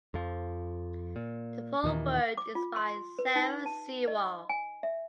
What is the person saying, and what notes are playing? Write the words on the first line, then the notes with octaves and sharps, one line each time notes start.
The foreword is by Sarah Sewall.
F2 F3
A#2
D#2 A#2 D#3 E3
D6
F4
C6
B4
D#4
A5
D#5
G#5
E5